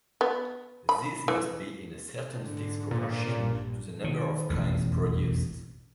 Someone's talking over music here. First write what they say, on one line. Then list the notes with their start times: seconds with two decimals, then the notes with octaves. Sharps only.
These must be in a certain fixed proportion to the number of coins produced.
0.21 B3
0.89 B5
1.28 E3
2.40 G#2 D3
2.91 A#2
3.35 A#1 G2
4.04 D#3
4.50 E1 A1 F2